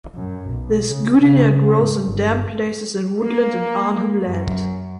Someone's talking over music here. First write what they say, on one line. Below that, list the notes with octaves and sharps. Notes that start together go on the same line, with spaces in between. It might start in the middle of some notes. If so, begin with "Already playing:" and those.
This goodenia grows in damp places in woodland in Arnhem Land.
F#2
B1
C#3
C#3
G#2
G1
A#3
F#2